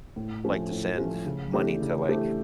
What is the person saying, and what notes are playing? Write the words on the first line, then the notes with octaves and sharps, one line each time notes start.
liked to send money to, like,
A2
F3 A3 C#4
A2
F3 A3 C#4
C#3
E3 A3 D4 G4
C#3
E3 A3 D4 G4